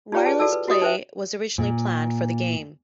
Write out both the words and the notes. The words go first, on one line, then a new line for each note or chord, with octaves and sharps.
Wireless play was originally planned for the game.
D#4 F4 G4 C#5 D5 G5
G#4 B4 A5
F#4 A4 D5 A5 E6
B4
E4 F#4 G4 D#5 D#6
D#4 B4 C5 E5 G5
A#2